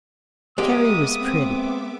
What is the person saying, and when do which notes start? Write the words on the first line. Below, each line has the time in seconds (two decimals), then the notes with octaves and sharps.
Carrie was pretty.
0.58 G#3 A#3 B3 G4 E5 D6 D#6
1.13 C4